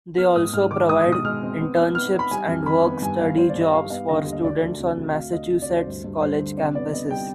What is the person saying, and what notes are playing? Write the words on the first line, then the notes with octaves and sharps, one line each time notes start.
They also provide internships and work study jobs for students on Massachusetts college campuses.
B3 F6
G#2 D#6
G#2 F6
D#3 D6
G#3 D#6
D#6
B2
D#6
G#3 F6
C4
B3
B3
B3 F6
B3
B5
G3 G#5
F2
D#3 B5
B3
G2 G#5
B3 F5
G2 C5
D5
G2
D#5
G3 F5
B3 F5
D3 D#5
D#2
D#5
D2 D5
D2
C3
D2
D2 F5
D2 D#5
C3
D5
D2
C5
G2
G2
G2 C5
D3
C3 D5
B3 D5
B3 D#5
G3 G5